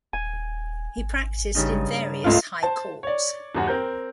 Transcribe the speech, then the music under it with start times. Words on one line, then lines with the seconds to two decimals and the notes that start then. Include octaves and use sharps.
He Practiced in various High Courts.
0.13 D#1 G#5
0.98 G#1
1.55 G2 C#3 D#4
2.24 C#2 G#2 A3 F4 F5
2.63 C5 A5
3.03 C#5 D5
3.55 D#1 F#2 F#4
3.68 C4 A#4 G6